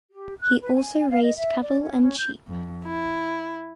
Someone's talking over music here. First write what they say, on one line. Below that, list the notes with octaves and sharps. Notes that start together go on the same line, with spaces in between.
He also raised cattle and sheep.
G4
F#6
B4
G#5
G#5
F5
D#5
E5
D5
C#4
C#4
G6
F2
E4